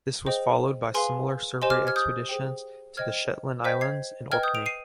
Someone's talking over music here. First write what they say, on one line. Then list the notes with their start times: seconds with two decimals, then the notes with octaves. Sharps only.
This was followed by similar survey expeditions to the Shetland Islands and Orkney.
0.26 G#4 C5 D#5 G5
0.94 G#4 B4 F5 G#5 C6
1.62 G4 C5 D#5 G#5 C6
1.70 D6 F6
1.87 F6 G#6
1.96 D#6 G6
2.29 G#4 C5 G5
2.97 C5 D#5 G5 F6 G#6
3.64 C5 D#5 G5 G6 B6
3.81 G#6 C7
4.32 B4 D#5 G5 F6 G#6
4.43 D#6 G6
4.55 D7 F7
4.66 C7 D#7